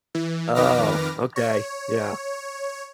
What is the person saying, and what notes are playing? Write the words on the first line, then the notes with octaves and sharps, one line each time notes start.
Oh, okay, yeah.
E3
F2 D#3 B4 D6 F6 A#6
C#5